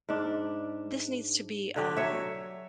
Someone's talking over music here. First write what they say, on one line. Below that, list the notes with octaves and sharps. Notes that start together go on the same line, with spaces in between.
This needs to be, um,
G#2 D4
D3 G4
F#3 C#5 E5